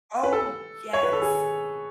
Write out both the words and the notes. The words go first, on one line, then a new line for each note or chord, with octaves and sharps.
Oh, yes.
B4
A4
C#5
B4
A4
G#4